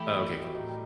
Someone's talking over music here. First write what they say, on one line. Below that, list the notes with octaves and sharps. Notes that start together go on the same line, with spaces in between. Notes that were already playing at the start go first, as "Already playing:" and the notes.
Oh okay, cool.
Already playing: E3 A3 E4 G4
C3
B2
C3
A2 D#3
G3